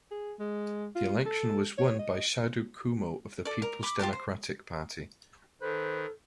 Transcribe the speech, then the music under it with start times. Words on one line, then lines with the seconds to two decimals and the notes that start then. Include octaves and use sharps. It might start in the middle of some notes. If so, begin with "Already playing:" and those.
The election was won by Saidu Kumo of the Peoples Democratic Party.
0.11 G#4
0.39 G#3
0.95 F4
1.26 A4
1.78 C#5
1.99 D#5
3.45 A4 D5
3.62 A#4
3.83 B5 D6
3.99 F4 G4 A#4 A5
4.13 C5
5.62 D#3 A4 B4 C5